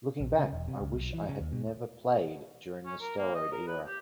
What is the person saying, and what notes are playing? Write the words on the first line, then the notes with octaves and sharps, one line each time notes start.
Looking back, I wish I had never played during the steroid era.
A#1
C#3
E1
C3
C#2
B1
E3
C#3
D#2
B2
C#4
A#4
A#3
D#5
A#4
B4
G4